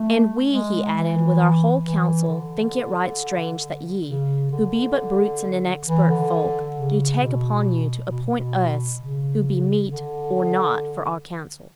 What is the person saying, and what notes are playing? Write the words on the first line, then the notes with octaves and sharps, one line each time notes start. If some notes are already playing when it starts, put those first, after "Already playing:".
"And we," he added, "with our whole council, think it right strange that ye, who be but brutes and inexpert folk, do take upon you to appoint us who be meet or not for our council."
Already playing: A3
G#3
E3
E3
D3
C#3
D3
E3
D3
C#3
B2
B2
B2
C#3
D3